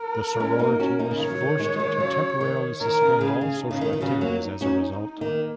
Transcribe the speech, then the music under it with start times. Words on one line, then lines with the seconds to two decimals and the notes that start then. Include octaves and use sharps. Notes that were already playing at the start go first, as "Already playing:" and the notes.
The sorority was forced to temporarily suspend all social activities as a result.
Already playing: A#4
0.36 A#3
0.40 G#3 C#4
0.59 A#3 D#4
0.80 C#4 F#4
0.99 A#3 D#4
1.11 C#3
1.20 D#3 C#5
1.30 F#3
1.41 D#3
1.59 D#3 G#3
1.74 F#3
1.79 D#3 G#3
2.00 C#3 F#3
2.41 D#3
2.81 D#3 A#4
3.01 C#3
3.21 C#3 G#4
3.41 C#3
3.61 D#4
3.71 C#3
3.81 D#3
3.93 D#3
4.01 C#3 F#3 F#4
4.21 F#3 A#3
4.41 D#4
4.61 C#4 F#4
5.21 D#3 A#3